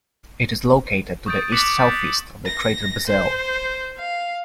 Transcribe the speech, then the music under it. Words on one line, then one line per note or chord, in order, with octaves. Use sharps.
It is located to the east-southeast of the crater Bessel.
C#6 D#6 G6 A6 D7
D6 F#6 B6 C#7 E7 F#7
G6 A6
A#6
C5
F5